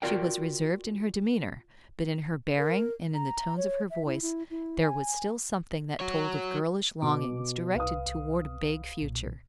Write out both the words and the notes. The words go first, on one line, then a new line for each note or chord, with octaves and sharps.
She was reserved in her demeanor, but in her bearing and in the tones of her voice there was still something that told of girlish longings directed toward a vague future.
F4 F#4 A#4 D5 F5 G5
A#4
A#5
C#5
E5
E4
E4
E4
G#5
F#4 C#5
B2 D6
C2 B4 F5 D#6
B1 A#2